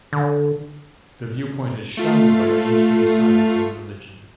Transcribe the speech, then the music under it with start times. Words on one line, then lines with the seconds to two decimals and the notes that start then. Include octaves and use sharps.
The viewpoint is shunned by mainstream science and religion.
0.13 D3
1.97 A3 F4